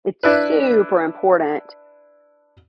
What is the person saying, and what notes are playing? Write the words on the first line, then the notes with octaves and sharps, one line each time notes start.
it's super important
D4 E4 B4